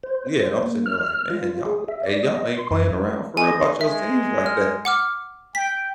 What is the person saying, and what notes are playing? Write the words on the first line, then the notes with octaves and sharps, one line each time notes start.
Yeah, and I'm sitting there like, "Man, y'all hey, y'all ain't playing around for real about yall's teams like that."
C5
C5
A#3
F6
F4
G#4
E5
D5
D#5
C6
F#2
D#5 G#5
G#3 E5
F6
F#5 D6 F6
G5 B6